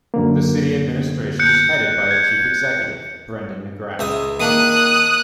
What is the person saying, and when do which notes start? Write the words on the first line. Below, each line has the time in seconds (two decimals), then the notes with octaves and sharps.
The city administration is headed by a Chief Executive, Brendan McGrath.
0.14 F#2 D3 A#3
1.39 F#6 G6 C#7
2.11 G#6
3.99 C#2 E5 D#6
4.40 D#3 A#3 D4 D#6 F#6